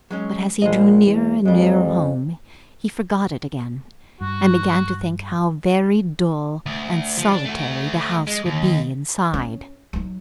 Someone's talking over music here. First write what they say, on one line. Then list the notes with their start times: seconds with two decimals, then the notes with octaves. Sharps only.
But as he drew nearer and nearer home he forgot it again, and began to think how very dull and solitary the house would be inside.
0.11 F#3 G#3 C#4
0.62 A#1 G#3 D#5
1.05 E2
1.45 F2 G3 G#3
4.21 G2 F#4
6.66 D2
7.18 F3
7.32 D4
7.45 A3 F#4
8.27 G#3
8.46 D#2
9.34 C#4
9.93 F#3 D#4